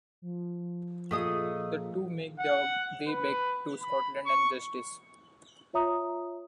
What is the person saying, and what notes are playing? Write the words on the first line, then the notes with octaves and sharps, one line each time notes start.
The two make their way back to Scotland and justice.
F3
A#2 A3 G#4 D#5 D#6
F#5
B4
B5
C#6
F4 C#5 E5 A#5 D#6